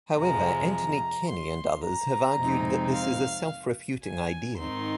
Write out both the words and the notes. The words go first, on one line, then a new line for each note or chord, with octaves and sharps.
However Anthony Kenny and others have argued that this is a self-refuting idea.
F2 C3 F3 G#3 A#5
A#5
C6
A#5
F2 C3 G#3 C4 D#4
F5
G#5
G#2 D#3 C4 D#4 C6